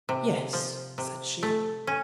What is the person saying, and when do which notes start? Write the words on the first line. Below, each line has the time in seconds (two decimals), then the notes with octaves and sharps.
"Yes," said she.
0.09 C3
0.53 F3
0.98 C3
1.43 A3
1.87 C#4